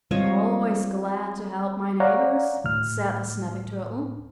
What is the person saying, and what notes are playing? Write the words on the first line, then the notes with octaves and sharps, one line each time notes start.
"Always glad to help my neighbors," said the Snapping Turtle.
F3 G3 G#3 C4 C#5 D#5
C#5 D5 F5 F#5 A#5
D2 A2 F6